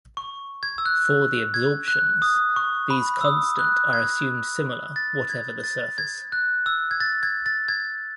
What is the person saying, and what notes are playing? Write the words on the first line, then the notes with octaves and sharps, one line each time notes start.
For the adsorptions, these constant are assumed similar whatever the surface.
C#6
G#6
E6
F#6
G#6
F#6
D#6
C#6
B5
E6
D#6
F#6
G#6
A6
G#6
A6
G#6
F#6
E6
G#6
A6
G#6
A6
G#6